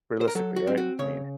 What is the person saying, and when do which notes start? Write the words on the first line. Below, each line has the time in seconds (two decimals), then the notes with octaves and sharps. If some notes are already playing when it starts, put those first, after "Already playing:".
realistically, right? I mean
0.21 C5
0.28 A#4
0.35 F#3 A4
0.56 F#4
0.67 C4
0.77 F#4
0.99 C#3 C#5